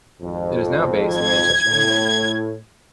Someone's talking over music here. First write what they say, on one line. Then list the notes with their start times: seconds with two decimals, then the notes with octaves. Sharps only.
It is now based in Manchester, England.
0.22 G#1 F2
1.15 G#6
1.66 A2